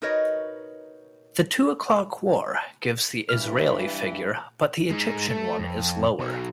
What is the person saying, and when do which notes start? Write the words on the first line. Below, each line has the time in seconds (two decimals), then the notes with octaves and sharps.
"The Two O'Clock War" gives the Israeli figure but the Egyptian one is lower.
0.02 D#4 F#4 A#4 B4 C#5 D#5
3.29 G2 E3 F6
4.91 G#3 D#4
5.29 A3 A4
5.59 F2
6.20 B2 F#3